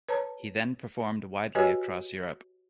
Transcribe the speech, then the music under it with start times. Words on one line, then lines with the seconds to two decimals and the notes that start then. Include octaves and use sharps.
He then performed widely across Europe.
0.09 B4 C#5 A5 A#5
1.55 F#4 G4 B4 C#5 D#5 G#5